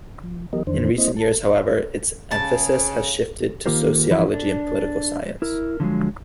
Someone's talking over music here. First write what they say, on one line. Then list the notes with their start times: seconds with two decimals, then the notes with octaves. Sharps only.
In recent years, however, its emphasis has shifted to sociology and political science.
0.24 F3
0.53 E3 F#3 B3 G4 A#4 D#5
0.67 F2 D#3 E3 D4 C5
0.98 A#3 C4 E4 C5 D#5
1.16 A5
2.31 C#3 A5
3.66 D#3 A#3 F4 G4 A#4 C5
4.11 E3 F3 C#4 D#4 E4
4.34 D4
5.42 E4 A#4
5.80 D3 F3 F#3 G#3